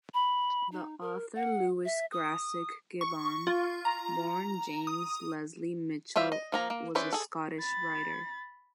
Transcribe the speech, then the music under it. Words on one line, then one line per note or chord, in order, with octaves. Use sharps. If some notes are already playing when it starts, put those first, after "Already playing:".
The author Lewis Grassic Gibbon, born James Leslie Mitchell, was a Scottish writer.
B5
D#4
A#4
F#5
E5
D#6
C#6
F4
A#5
D#6
G3 F4 C5 E5
D#5
F3 A#3 A#5
A#3
C#4 E4 B4 C5 D5
G#4 A4
B5 A6